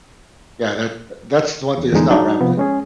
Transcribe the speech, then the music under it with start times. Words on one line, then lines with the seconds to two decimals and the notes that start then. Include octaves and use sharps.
Yeah, that that's the one thing that's not rambling.
1.78 E2
1.93 E2 A#2 D3 G#3 D#4
2.10 F#3 D4 D#4
2.41 C3 F3 B3
2.57 G#3 C#4 G#4